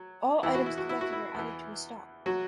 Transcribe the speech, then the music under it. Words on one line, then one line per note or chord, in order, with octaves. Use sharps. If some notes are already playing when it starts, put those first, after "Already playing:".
All items collected are added to a stock.
Already playing: F#3
E2 E3 E4
F#4
E4
F#4
E4
F#4
E4
E2 E3
F#3 F#4